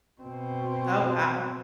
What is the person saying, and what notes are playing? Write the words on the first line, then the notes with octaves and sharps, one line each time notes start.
Oh, wow.
B2 C4